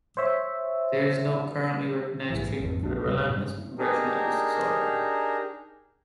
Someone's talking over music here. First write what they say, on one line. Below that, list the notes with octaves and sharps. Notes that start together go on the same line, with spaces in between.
There is no currently recognized treatment for the relentless progression of this disorder.
C5 C#5 E5
A#1 G#2 E3
G#1 F2
A#1 D4
D1 C3 G3
G2 C3 G3
D4 D#4 G4 G#4 A#4